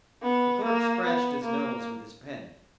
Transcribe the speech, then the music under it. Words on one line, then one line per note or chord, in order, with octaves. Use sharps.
The Clerk scratched his nose with his pen.
B3
A#3
B3
A#3